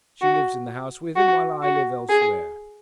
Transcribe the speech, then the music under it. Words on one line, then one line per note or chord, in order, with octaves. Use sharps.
She lives in the house with him, while I live elsewhere.
F#4
F#4
F#4
G#4